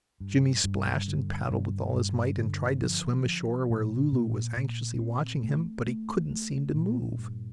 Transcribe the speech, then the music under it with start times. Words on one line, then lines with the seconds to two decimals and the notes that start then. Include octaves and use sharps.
Jimmie splashed and paddled with all his might, and tried to swim ashore, where Lulu was anxiously watching him, but he couldn't seem to move.
0.20 G2
0.64 G2
1.08 D3
1.51 G2
1.94 G2
2.38 D3
2.82 F3
3.25 F3
3.70 A#2
4.12 A#2
4.57 A#2
5.01 C4
5.43 A3
5.87 A3
6.31 A3
6.75 A#2
7.18 G2